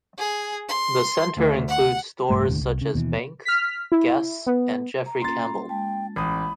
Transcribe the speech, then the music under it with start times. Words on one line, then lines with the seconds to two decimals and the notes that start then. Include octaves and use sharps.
The centre includes stores such as Bank, Guess and Jeffrey Campbell.
0.18 G#4
0.67 C6
1.37 D2
1.69 F#5
2.30 A#1 G2 A3
2.47 E1 D#2 A2 D3
2.61 C2
2.81 C#3
2.94 D#2 B2 D#3 E3
3.45 F6 B6
3.92 E4
4.47 B3
5.06 A#5
5.22 A#3 C#4 F4 C6 A6
5.69 G#3 G5 A5
6.16 A1 B5 D#6